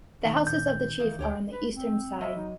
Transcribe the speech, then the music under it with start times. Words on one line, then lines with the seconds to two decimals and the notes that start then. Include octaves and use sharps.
The houses of the chief are on the eastern side.
0.25 D#2 B2 D#3
0.47 A#2 G6
0.99 D#3 E3 A#3
1.19 D2 G4 C#5 G5
1.52 B4
1.73 C4
2.21 F#3 D#5 E5
2.37 D#4